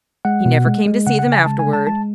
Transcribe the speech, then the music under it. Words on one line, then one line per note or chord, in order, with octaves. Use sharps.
He never came to see them afterward.
G#3 F#5
B2
G#3
G#3
C#3 F#5
F#5
C#3
G#5
G#3 A5
G#5
G#3
A5
G#3 A5